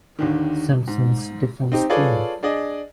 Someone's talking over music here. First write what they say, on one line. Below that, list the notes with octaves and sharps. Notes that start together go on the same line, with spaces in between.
Simpson's defense team.
D#2 D3 D#3
G#2
C4 D#4 G4
F4 G#4 A4 B4 C#5 D5
D4 G#4 D5 D#5